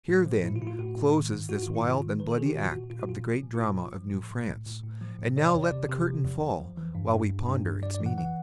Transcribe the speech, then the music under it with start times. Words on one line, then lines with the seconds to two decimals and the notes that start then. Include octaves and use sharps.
Here, then, closes this wild and bloody act of the great drama of New France; and now let the curtain fall, while we ponder its meaning.
0.08 A2
0.26 F3
0.43 A2 E4
0.56 F4
0.62 A2 E4
0.67 F4
0.79 A2 F#4
0.97 A2
1.14 D#3
1.32 G#2
1.49 G#2 F#4
1.63 D#3 F4
1.75 E4
1.85 G#2 F4
2.02 D#3
2.20 D#3 B4
2.29 A4
2.38 D#3 G#4
2.46 G4
2.55 A#2 F#4
2.64 F4
2.72 A#2 F#4
2.90 A#2 F4
2.99 F#4
3.08 A#2 F4
3.26 F3
3.43 A#2
3.55 E4
3.61 A#2 F4
3.78 F3
3.96 F3
4.13 A2
4.31 A2
4.48 A2
4.66 A2
4.83 A2
5.01 F3
5.19 A2
5.36 C3 C#5
5.45 D5
5.54 E2 C#5
5.63 D5
5.72 C3
5.89 C3
6.07 F3
6.24 E2
6.42 E2
6.60 F3
6.77 E3
6.95 G2
7.13 G2
7.30 G2
7.48 G2
7.65 G2
7.83 G2 D5
7.94 D5
8.00 E3
8.06 F#5
8.18 E3 F#5